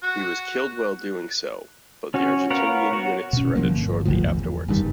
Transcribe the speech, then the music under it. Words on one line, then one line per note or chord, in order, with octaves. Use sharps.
He was killed while doing so but the Argentinian unit surrendered shortly afterwards.
F#4
C#4 F#4 C#5
B3 A#4 C#5 F5 F#5
F#4 C#5
B2 C#4
C3 F3 F#3 A#3
G1
G1 C#2 A2 F3
E2
F#1 G2 D#3 G3